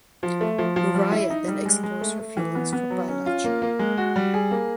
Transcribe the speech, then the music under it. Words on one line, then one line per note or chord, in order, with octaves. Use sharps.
Hooriya then explores her feelings for Balaj.
F3
A3
F3
F3
G3
E4
D#4
G3
G#3
G#3
A3
A3
E3
B3
B3
F#3
C#4
F4
A#3
A#3
G#3
F#4
G3
G#4
A#3